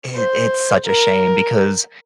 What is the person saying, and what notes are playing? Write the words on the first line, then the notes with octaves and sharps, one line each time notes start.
It it’s such a shame because,
C5
A#4